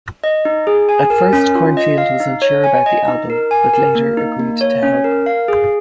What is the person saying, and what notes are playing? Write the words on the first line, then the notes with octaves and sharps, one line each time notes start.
At first Cornfield was unsure about the album but later agreed to help.
D#5
D#4
G#4
G#5
A#4
C#4
F4
D#5
F5
D#4
C#5
G#5
D#5
D#4
A#4
G#5
A#4
A#3
D#4
A#3
C#5
C#4
A#4
F5
G#4